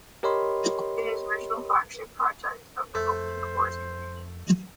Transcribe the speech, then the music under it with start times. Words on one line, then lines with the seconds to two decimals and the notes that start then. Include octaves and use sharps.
It is the original flagship project of the OpenCores community.
0.23 G4 A#4 C#5 D#5 B5 C6
2.95 F2 A3 C5